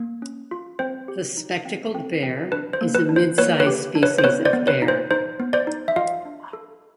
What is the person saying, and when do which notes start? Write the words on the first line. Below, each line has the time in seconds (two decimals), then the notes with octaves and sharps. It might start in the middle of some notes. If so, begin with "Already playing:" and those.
The spectacled bear is a mid-sized species of bear.
Already playing: A#3
0.22 C#4
0.51 F4
0.79 C4 C5
1.08 G4
1.37 D#4
1.65 C4
1.95 C4
2.23 C4
2.52 D4 B4
2.73 C5
2.81 A#3
2.95 B4
3.09 D4
3.16 C5
3.38 A#3 B4 C#5
3.60 B4 C#5
3.67 G4
3.95 D4
4.03 B4 C#5
4.18 C5
4.24 B3 B4 C#5
4.45 C5 D5
4.53 B3
4.67 B4 C#5
4.82 D#4
4.88 C5
5.11 D#4 C5
5.40 B3
5.53 C5 D5
5.67 D#4
5.88 E5
5.96 F4 D#5 F5
6.25 D4
6.53 A4